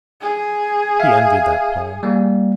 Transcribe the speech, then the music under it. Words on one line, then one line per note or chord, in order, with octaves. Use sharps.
He envied that poem.
G#4
E5 F5
G3 A#3